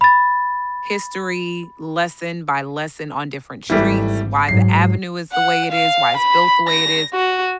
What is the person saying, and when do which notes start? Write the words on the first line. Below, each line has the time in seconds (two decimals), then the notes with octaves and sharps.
history, lesson by lesson, on different streets, why the avenue is the way it is, why it's built the way it is.
0.01 B5 A6
3.70 G#1 E3 G3 A3
4.49 G#2 F#3 C7
5.33 F#5
5.71 F5
6.16 B5
6.69 A#6
7.14 F#4